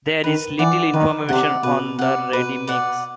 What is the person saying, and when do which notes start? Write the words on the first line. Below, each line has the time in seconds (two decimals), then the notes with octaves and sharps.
There is little information on the Radimichs.
0.24 D#3 B4
0.59 E3 D5 F#5
0.93 D#3 B4
1.29 C3 D5 F#5
1.63 B2 B4
1.98 C3 D5 F#5
2.33 B2 B4
2.67 B2 D5 F#5